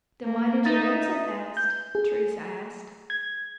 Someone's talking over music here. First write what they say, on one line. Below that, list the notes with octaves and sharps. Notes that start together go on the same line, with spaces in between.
"Then why did you run so fast?" Teresa asked.
A#3
D#4 B4 E5 A6
G6
G#4
G#6